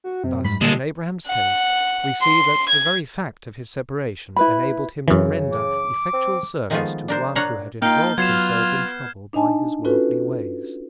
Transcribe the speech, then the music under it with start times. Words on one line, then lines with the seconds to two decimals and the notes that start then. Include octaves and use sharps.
Thus, in Abraham's case, we see that the very fact of his separation enabled him to render effectual service to one who had involved himself in trouble by his worldly ways.
0.04 F#4
0.24 F#2 C3
0.45 G#2 G3 B5
0.61 A#2 D3 G3 G#3 A4
1.28 F#5
2.22 C6
2.69 G#6
4.36 E4 B4 B5
5.08 F#2 C#3 E3
5.53 D6
6.13 C4
6.70 D#3 F3 G#3 A3 B3 F4
7.08 D4 A#4 C5
7.35 A#2 D4 C#5 F5 F#5 A#5
7.82 A#3 D#4 F4 G5 F6 G6
8.18 F#3 B3 F4 G#6 C7 E7
9.33 D4 D#4 D#5 G#5 A5
9.85 C#4 F4 F#4 A4 B4